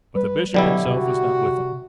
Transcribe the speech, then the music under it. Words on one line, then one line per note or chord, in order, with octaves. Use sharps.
But the Bishop himself was not with them.
G3 B4
B2 D3 F#3 G3 E4
C3 F#4